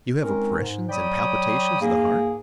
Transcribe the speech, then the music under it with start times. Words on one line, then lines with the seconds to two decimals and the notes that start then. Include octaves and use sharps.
You have oppressions and palpitations of the heart?
0.23 G#3 C4 C#4 D#4 A#4
0.59 G#2
0.89 F#3 C#5 D5 G5 B5 D#6
1.80 G#2 A#3 G#4